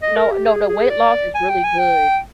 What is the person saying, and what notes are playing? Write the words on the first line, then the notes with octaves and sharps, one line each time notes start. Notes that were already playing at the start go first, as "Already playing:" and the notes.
No no no weight loss is really good.
D#5
A#4
G4
G#4
G#4
D5
G#5
G5
G#5
G5